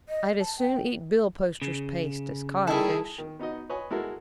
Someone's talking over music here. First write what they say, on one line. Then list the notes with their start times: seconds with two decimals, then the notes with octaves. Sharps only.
"I'd as soon eat billposter's paste as codfish."
0.09 D#5
0.40 A5
0.58 G5
1.62 C#3
2.67 D#3 G3 E4 G#4 A4 E5
3.18 D#3
3.39 B3 D#4 F#4 D#5
3.69 B4 C#5 D#5 G#5
3.90 G#3 E4 F#4 A4 A#4